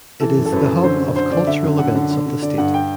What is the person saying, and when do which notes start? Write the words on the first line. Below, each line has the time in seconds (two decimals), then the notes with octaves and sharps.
It is the hub of cultural events of the state.
0.20 E3 A4
0.37 F#2
0.45 A4
0.52 F#2 B4
0.69 F#2
0.84 D3 C5
1.00 D3
1.15 D3 C5
1.31 D3 D5
1.47 D3 E5
1.62 F#2
1.78 D3 F#5
1.95 D3
2.11 D3
2.26 D3
2.42 D3 D5
2.58 G2 F#5
2.74 G5